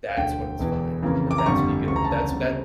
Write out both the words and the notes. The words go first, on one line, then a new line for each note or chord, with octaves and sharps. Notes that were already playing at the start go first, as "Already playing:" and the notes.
That's when it's fine, like that's when you can that's that
F5
E1 D2 D3 G5
E1 E2 E3
F2 C#3 E3 A#3
D6
A#5
G1 F2 D3 G3 A#3 C#6
D2 C#3 E3 C#6
A#5
A5
A#5
E2 C#3 G3